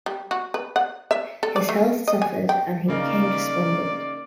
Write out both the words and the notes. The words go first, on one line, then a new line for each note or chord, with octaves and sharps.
His health suffered, and he became despondent.
G3
F#4
B4
F#5
E5
A4
D5
A3
D#5
G#5
G5
C#3 A#3 D#4 D5